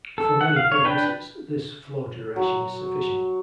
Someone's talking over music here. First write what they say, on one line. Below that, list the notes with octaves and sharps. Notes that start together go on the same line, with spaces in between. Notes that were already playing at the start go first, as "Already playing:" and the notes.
For many purposes, this flow duration is sufficient.
A4
F#5
F5
C#5
D4 B4 G5 A5
F#3